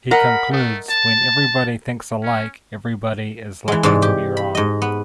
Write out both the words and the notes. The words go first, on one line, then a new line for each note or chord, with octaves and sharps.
He concludes when everybody thinks alike, everybody is likely to be wrong.
A#4 D#5 F#5 B5
A3
A5
C#4
E3 G#3
G#2 C3 E3 G#3 D5
G4
B5
G#2 D#5
B3